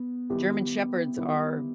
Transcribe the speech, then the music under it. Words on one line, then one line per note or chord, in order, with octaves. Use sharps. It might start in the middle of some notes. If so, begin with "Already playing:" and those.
German Shepherds are,
Already playing: B3
D#3 G3 B3 E4 G4
D#3 G3 B3 E4 G4